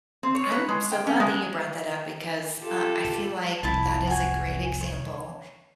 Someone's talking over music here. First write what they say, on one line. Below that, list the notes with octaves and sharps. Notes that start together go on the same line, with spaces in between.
I'm so glad that you brought that up because, uh, I feel like that is a great example,
C4
C#5
B4
G#3
G5
C#4
G#3
F4 G4 A4
F1 C2 E4 A5
F#4 G#5
C#5